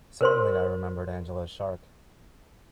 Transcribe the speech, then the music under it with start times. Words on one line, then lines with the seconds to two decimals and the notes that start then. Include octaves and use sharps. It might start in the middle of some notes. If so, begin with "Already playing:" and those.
Certainly I remembered Angela's shark.
0.21 A#4 C5 C6